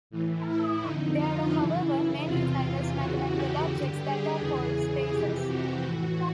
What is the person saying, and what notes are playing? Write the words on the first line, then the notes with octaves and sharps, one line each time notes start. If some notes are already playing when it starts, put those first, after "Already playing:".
There are however, many diverse mathematical objects that are called spaces.
A2 E3
E4
F2 D3 D#4
F4
F#2 C#3 E3 E4
E2 C3 E3 F4
E2 C#3 E3 F#4
G4
G2 D3
G#4
E2 C#3 E3
F2 C3 E3 G4
F#4
A2 E3 F#4